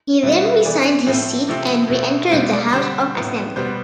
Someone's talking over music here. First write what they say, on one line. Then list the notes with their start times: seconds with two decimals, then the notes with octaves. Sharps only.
He then resigned his seat and re-entered the house of assembly.
0.23 B2 G3 B3 E5
0.33 F5
0.45 E5
0.65 E3 B3 D5
1.06 A2 F3 A3 C4
1.48 C3 F3 A3 C4
1.90 B2 A3 C4
2.31 B2 G3 C4 C5
2.53 D5
2.73 D3 G3 C4 C5
3.15 A2 F3 B3
3.56 B2 G3 B3 C5